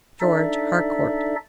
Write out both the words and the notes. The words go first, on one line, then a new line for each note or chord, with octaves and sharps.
George Harcourt.
D4 D#4 A4 D5 E5